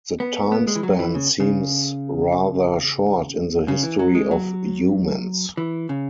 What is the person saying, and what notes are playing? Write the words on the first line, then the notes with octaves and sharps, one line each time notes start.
The time span seems rather short in the history of humans.
B3
B3
G#3
E3
F#3
E3
C#3
C#3
C#3
E3
F#3
G#3
F#3
E3
C#3